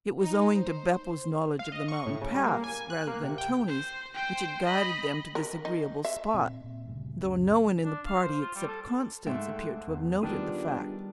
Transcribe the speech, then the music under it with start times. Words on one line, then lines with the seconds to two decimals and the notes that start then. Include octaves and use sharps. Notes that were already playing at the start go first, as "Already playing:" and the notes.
It was owing to Beppo's knowledge of the mountain paths rather than Tony's which had guided them to this agreeable spot; though no one in the party except Constance appeared to have noted the fact.
0.20 D#4
0.55 C5
1.59 F5
1.72 D#5
1.88 C#6
2.07 A2
2.22 C#3
2.35 G3
2.46 A#3
2.64 G#5
2.90 F#6
3.07 A#3
3.23 C3
3.38 G5
3.68 C5
4.14 C5 G5
4.65 D#5 B5
5.35 A#4
5.65 D#4
6.05 E5
6.34 A#2 C4
6.64 A#2
6.86 D2 G2 A#2 C#3
7.23 C#2 F#2 C#4
7.84 D4
8.06 F5
8.22 C5
8.41 F4
8.55 G3
8.68 A4
9.27 G#2 A3 E5 G5 C6 F#6
9.87 E2
10.23 D#3 G3 B3 D4 F4 G4 G#4